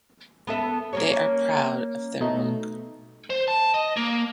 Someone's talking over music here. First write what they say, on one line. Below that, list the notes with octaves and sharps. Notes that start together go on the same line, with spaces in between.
They are proud of their work.
B3 A4 E5
A#3 C#4 C#5
B2 A3 D#4
C5
A5
D#5
A#3